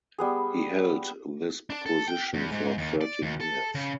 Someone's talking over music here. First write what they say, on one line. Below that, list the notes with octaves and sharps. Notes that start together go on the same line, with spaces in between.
He held this position for thirteen years.
G3 B3 G#4
D4
A4
G5
E2
G#2
D#2
D5
D#2
A4
C#3